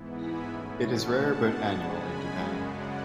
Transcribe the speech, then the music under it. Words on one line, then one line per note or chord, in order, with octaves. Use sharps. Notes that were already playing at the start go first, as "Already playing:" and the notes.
It is rare but annual in Japan.
Already playing: G#2 E3 B3 E4
G#5 B5
B2 A3 C#4
F#5 A5
B2 G#3 D4 F#5 A5
F#2 C#3 G#3 G#5 B5
F#2 C#3 G#3 F#5 A5
D5 F#5